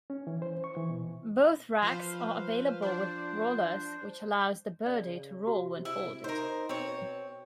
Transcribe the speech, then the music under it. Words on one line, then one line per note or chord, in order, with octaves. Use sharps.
Both racks are available with rollers which allows the Birdy to roll when folded.
C#4
E3
C5
C#6
E3
B2
F3 F4 B4 C5 F5
D4 C5
C#3 D5
C3 F#4
E4 E5
D#4 A#4 C5
B2 C4 C#5